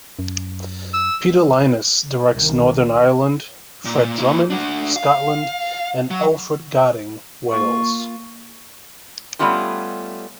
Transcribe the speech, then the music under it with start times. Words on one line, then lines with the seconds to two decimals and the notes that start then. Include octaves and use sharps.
Peter Lynas directs Northern Ireland, Fred Drummond, Scotland, and Elfed Godding, Wales.
0.19 F#2
0.94 E6
2.30 C2 D#3
3.85 A#2
4.18 A#3 E4
4.50 D4 F#4
4.96 F5
6.11 F#3
7.50 A#3 F4 C#6
9.39 G3 A3 B3 C#4 F4 G4